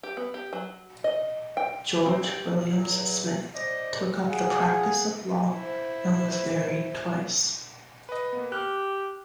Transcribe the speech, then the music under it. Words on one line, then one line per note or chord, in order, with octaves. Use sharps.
George Williams Smith took up the practice of law, and was married twice.
G4
B3
G4
F#3
D#5
G5
C4
G4
E2 F#3
C5 D5 D#5
G#4 F5 F#5
E4 C5
B4 D#5
A#3 B3
G4 F6 F#6